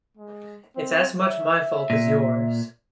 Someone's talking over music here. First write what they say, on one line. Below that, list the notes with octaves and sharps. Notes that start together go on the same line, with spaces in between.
It's as much my fault as yours.
G#3
C4
E5
A#2